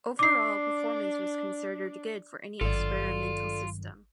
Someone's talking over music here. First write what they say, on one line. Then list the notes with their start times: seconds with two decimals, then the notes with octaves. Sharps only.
Overall performance was considered good for an experimental system.
0.19 D4 D6 C7
2.61 G#1 G2 D#3 F#3 F4 A4 D5